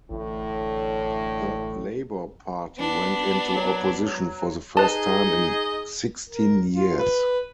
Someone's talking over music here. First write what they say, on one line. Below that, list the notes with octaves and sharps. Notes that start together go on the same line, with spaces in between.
The Labour Party went into opposition for the first time in sixteen years.
A1 A2 D3
B3 D4
F#3
F#3
D#4 G#4 B4 D#5 A5
A#4
F4
B4